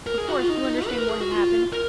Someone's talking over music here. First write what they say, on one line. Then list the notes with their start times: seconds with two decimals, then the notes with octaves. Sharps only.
Of course, you understand what had happened?
0.07 A#4
0.18 G#4
0.28 F#4
0.39 F4
0.50 D#4
0.87 B4
0.98 A#4
1.09 G#4
1.20 F#4
1.32 F4
1.73 A#4